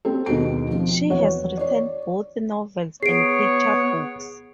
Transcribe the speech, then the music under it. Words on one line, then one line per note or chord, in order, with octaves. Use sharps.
She has written both novels and picture books.
C4 G4 A4
D#2 B2 G#3 F#4 D7
F3 C4
E2 F#4 C#5 F#5
C#5 D5
B3 G#4 C#5 C7 D7